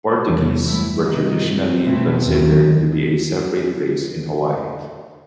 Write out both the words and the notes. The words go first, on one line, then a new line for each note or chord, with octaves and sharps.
Portuguese were traditionally considered to be a separate race in Hawaii.
E2 C3 E3 G3
G2 F#3 A3 E4
C3 D#3 G3 D#4
G2 F#3 A3 C4
B2 A3 C4 E4
D#2 D#3 F#3